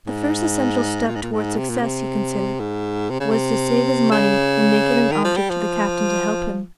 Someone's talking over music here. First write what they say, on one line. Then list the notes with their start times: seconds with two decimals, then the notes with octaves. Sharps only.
The first essential step towards success, he considered, was to save his money and make it an object to the captain to help him.
0.07 G#2
1.08 A#2
1.15 G#2
1.23 A#2
1.32 G#2
1.58 C3
1.70 A#2
1.82 C3
2.60 G#2
3.10 C3
3.20 C#3
3.31 C3
4.12 C#3
5.12 D#3
5.24 F3
5.37 G3
5.50 F3